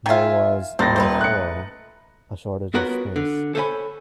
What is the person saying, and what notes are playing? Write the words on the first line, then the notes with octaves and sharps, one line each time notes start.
There was, therefore, a shortage of space.
D#3 F4 E5 G#5
D#1 A2 C5 A6 A#6
A3 D#4 B4 C5
F#6 C#7
B3 F4 F#4 A#4 B4 C#5
D3
A4 C5 C#5 E5 G#5 B5